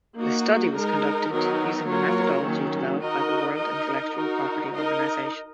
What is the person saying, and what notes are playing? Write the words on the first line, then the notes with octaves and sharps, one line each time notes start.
The study was conducted using a methodology developed by the World Intellectual Property Organization.
A#3 D#4 F#4
G#3 D#4 A#4
D#3 F#3 B3 D#4 A#4
F#3 A#3 F4 A#4 C#5
D#3 F#3 A#3 C#4
D#4 F#4 A#4 D#5
D#4 A#4 D#5
D#4 F#4 A#4
D#4 A#4 D#5